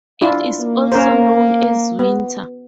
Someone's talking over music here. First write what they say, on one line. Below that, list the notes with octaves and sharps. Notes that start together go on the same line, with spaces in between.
It is also known as Winter.
D4 E4 F4
A#3
C#4 A#4 C5
B3